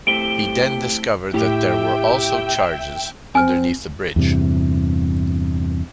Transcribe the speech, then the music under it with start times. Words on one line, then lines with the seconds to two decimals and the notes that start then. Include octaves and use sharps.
He then discovered that there were also charges underneath the bridge.
0.07 A3 C4 E4 G4 D7 G7
1.34 A2 G4 E5 G5
3.35 C4 G#5 F6
4.16 E2 G2 C3